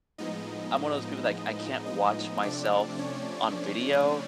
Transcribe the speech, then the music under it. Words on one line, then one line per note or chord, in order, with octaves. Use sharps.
I'm one of those people that, like, I can't watch myself on video,
A2 F3 G#3 B3 D#4 D#5
D#4 D#5
C3 F3 A3 C4 D4 D5
C#4 C#5